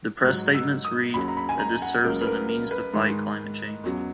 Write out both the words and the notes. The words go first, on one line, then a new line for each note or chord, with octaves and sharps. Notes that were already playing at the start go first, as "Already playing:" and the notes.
The press statements read, that this serves as a means to "fight climate change".
G#2 F#3 F#6
E6
D#6
D#2 C#3 F#3 B5
A#5
B5
G#5
A#5
F#5
C#2 C#3 F#3 A#4
B4
A#4
A#4
B4
G#2 D#3 G#3
E2 C#3 F#3